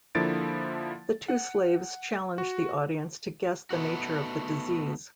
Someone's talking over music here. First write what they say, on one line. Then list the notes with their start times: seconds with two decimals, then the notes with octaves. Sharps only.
The two slaves challenge the audience to guess the nature of the disease.
0.15 D3 F3 A#3 E4 A6 D7
1.28 F#5
2.38 F#4
3.70 A3 B3 D#4 F#4